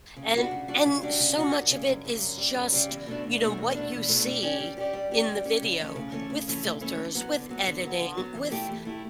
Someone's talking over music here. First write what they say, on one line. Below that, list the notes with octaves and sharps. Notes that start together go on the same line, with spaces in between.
And and so much of it is just, you know, what you see in the video with filters, with editing, with,
C#3
G3 D4 F#4
C#3
G3 D4 F#4
C#3
G3 D4 F#4
C#3
G3 D4 F#4
F#2
C#3 G3
F#2
C#3 G3
F#2
C#3 G3
F#2
C#3 G3
E2
B2 A3 D4
E2
B2 A3 D4
E2
B2 A3 D4
E2
B2 A3 D4
G3
C#4 G4 D5
G3
C#4 G4 D5
G3
C#4 G4 D5
G3
C#4 G4 D5
C#3
E3 A3 C#4
C#3
E3 A3 C#4
C#3
E3 A3 C#4
C#3
E3 A3 C#4
D3
F#3 B3
D3
F#3 B3
D3
F#3 B3
D3
F#3 B3
E3
A3 E4 G4
E3
A3 E4 G4